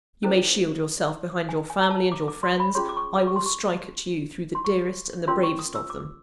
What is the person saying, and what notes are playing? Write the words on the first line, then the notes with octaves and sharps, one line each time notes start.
You may shield yourself behind your family and your friends--I will strike at you through the dearest and the bravest of them!
C#4 E4 A4 C5
G#5
G#5
A#5
A5
D6
D6
C6
B5
C#4 F4 G#4 C#5 C6
D6
C#6
D6
C#6
C6
C#6
C6
C#6
C#4 F4 A#4 C#5 C6
C#6
D#6
E6
D6